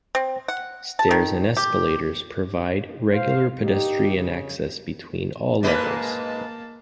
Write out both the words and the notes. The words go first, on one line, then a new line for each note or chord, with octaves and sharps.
Stairs and escalators provide regular pedestrian access between all levels.
C4
F#5
A5
D#3
G4
C5 F5
A#2 A#3 D#4 G4
C#3
G#2 G#3 A#3 B4 A5